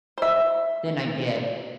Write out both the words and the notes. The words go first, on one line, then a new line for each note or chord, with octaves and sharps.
then I get
C5 E5